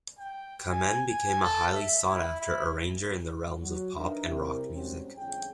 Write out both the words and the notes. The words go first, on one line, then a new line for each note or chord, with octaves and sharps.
Kamen became a highly sought-after arranger in the realms of pop and rock music.
G5
G#5
G#5
A4
E5
E4
E4
F#3
D4 D#4 A#4 B4 E5
C3 G3 C4 E4 G4 A#4
G#2 C3 F#3 G3 C4 C#4
G1 F2 C#4 G#4 G5